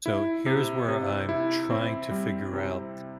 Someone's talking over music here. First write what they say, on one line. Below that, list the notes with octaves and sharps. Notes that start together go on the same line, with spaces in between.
So, here's where I'm trying to figure out.
E4
C3
C3
E4
C4
G3
C3